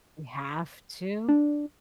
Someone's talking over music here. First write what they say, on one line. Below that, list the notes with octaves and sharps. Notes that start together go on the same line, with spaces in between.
We have to?
D4